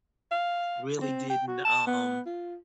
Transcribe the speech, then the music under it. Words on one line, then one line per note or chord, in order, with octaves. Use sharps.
really didn't, um,
F5
C4
G5
F#4
A5
B3
F4